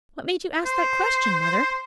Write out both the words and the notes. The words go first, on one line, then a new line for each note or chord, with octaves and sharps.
"What made you ask that question, Mother?"
C5